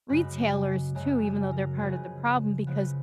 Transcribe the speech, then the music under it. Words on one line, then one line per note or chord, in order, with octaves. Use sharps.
retailers, too, even though they're part of the problem because
F#2 C#3 G#3 B5
F#2 C#3 G#3 A#5
G#5
A#4
C#3 F3 G#3 B3 G#4
C#3 F3 G#3 B3